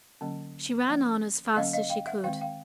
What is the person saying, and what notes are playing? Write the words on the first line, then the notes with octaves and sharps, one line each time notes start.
She ran on as fast as she could.
D3 F#3 A#3 C#4
F3 A#3 C#4
D3 F#3 A#3 C#4 D#5 F5
D#5 F5
F5 G5
E5 F#5
D#3 G#3 C4 F5 G5
F5 G5